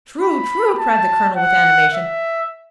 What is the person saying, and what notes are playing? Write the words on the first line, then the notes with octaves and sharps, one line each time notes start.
"True--true," cried the colonel, with animation.
B5
A5
F#5
E5